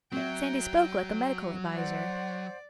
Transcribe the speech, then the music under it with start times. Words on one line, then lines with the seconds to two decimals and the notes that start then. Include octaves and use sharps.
Sandy spoke like a medical adviser.
0.12 F#3 C4 E5 G5
1.75 C5 D5 F#5